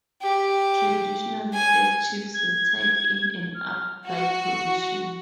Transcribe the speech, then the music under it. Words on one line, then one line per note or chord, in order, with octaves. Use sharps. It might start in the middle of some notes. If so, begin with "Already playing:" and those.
Traditionally dead chiefs were tied in an upright position.
G4
G#5
G#6
F6
F#4